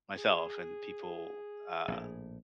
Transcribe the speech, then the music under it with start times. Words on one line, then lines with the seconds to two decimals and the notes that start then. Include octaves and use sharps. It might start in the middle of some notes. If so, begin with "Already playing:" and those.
myself and people, uh,
0.18 G#4
1.88 A#1 A2